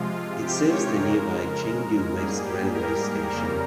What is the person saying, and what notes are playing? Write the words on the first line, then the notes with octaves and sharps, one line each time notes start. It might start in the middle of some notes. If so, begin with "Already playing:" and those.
It serves the nearby Chengdu West railway station.
Already playing: C3 F3 G#3 F4
F4
G4
C#5
F2 C#3 G#3 A#4
G#2 G3 A#3 G#4
G4
A#4
F2 C#3 G3 A#3